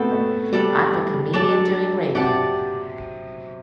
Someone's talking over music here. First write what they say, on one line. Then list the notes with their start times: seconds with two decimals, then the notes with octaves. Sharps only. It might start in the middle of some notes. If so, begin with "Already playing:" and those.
I'm a comedian doing radio.
Already playing: A3 B3 C4 F#4 A4
0.12 A3
0.52 G3 D4 A4 D5
1.33 F#3 D4 A4 D5 A5
2.15 C3 G4 D5 F#5 A5